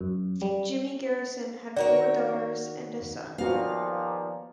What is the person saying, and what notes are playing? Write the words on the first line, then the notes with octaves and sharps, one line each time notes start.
Jimmy Garrison had four daughters and a son.
F#2
G3
D#3 F#4 A#4 C#5 D5
D#2 A#2 F3 B3 F#4 F5